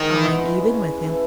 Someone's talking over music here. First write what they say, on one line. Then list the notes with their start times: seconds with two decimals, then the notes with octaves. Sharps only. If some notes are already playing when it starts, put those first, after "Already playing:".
I'm even with him.
Already playing: G#2 D#3
0.18 E3 G#3 B3
0.59 C#3
1.02 E3 A3